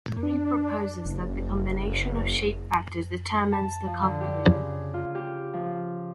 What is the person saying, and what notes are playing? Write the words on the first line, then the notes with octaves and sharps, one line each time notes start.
The theory proposes that a combination of shape factors determine the coupling.
D4
F#1
A5
F3
D3
G4
C#3
F4
G4
F3